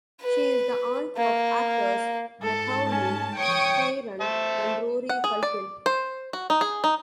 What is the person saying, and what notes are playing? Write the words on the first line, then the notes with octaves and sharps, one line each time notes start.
She is the aunt of actors Macaulay, Kieran, and Rory Culkin.
B4
A#3
G#2 A4 A5
C#4
C#5 G5 C#6 D#6
C5 E5 A5
F#5
G#4
D5
C5
F#4
D#4
G#4
D#4